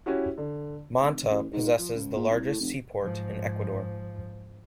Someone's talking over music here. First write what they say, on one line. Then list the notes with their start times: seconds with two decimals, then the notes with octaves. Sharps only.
Manta possesses the largest seaport in Ecuador.
0.06 C#4 E4 F#4 G4
0.38 D3
1.00 F1
1.30 A1
1.53 G#2
1.79 F3
1.94 C#2
2.16 A#2
2.30 C2
2.45 A2
2.60 F1
2.99 G#2 F3